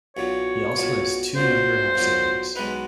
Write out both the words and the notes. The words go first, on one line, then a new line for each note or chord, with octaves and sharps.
He also has two younger half-siblings.
B1 A#2 F#3 C#5
B1 A#2 F#3
B1 A#2 F#3 C5
B1 A#2 F#3
B1 B2 G#3 B3 D#4 B4